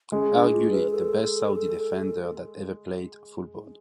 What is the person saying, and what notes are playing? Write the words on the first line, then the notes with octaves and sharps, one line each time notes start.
Arguably, the best Saudi defender that ever played football.
G#3 C#4
D4
F4
B4
A4